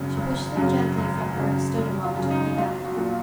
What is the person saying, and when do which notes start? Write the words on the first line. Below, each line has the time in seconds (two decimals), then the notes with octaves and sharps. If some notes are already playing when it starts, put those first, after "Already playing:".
She pushed them gently from her and stood a moment looking down at him.
Already playing: G#1 F#2 C#3 B3
0.17 G#1
0.57 F#2 C#3
0.98 G#1
1.37 F#2 C#3
1.77 G#1
2.05 F4
2.17 F#2 C#3
2.30 D#4
2.57 B1 F4
2.84 F#4
2.97 A#2